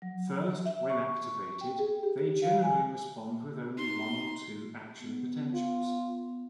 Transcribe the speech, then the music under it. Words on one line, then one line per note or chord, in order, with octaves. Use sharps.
First, when activated, they generally respond with only one or two action potentials.
F#3
E5
C#6
G5
G#4
G4
F5
G#5
D#4 C6
B3
F4